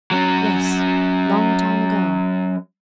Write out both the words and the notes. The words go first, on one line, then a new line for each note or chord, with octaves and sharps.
Yes, long-time ago.
F#3 C#4